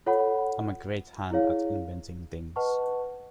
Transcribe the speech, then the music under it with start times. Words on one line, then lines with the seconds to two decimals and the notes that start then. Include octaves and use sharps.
I’m a great hand at inventing things.
0.06 F4 A4 C#5 F#5 B5
1.31 E4 G#4 C#5 F5
2.56 B4 D#5 F#5 A5 C#6